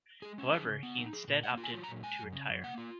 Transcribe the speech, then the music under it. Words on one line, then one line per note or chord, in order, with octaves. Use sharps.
However, he instead opted to retire.
G#3 G#4
C#4
F3 G#4
C#3
B3
D#4
F3 G#4
A#2
A#3 F#5
F4
G#5
F#3
A#5
A#2
G#3 G#5
F#2
C#3
F#2
A#3 F#5
F4